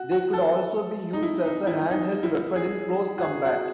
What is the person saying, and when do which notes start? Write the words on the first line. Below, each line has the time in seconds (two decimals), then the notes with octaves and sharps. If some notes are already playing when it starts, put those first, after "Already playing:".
They could also be used as a handheld weapon in close combat.
Already playing: F#4
0.12 F#4
0.34 A4
1.13 D#4
1.23 E4
1.45 D#4
1.67 E4
1.90 D#4
2.23 E4
2.56 G#4
3.18 F#4
3.22 G#4
3.45 F#4